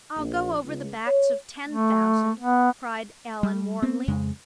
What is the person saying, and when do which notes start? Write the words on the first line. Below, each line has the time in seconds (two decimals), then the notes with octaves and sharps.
"I'll go over the backs of ten thousand!" cried Allan, warmly.
0.16 A#1
0.64 C#2
1.06 C#5
1.68 A3
2.39 B3
3.43 G3
3.82 B3 C4
4.08 F2 C#3 G#3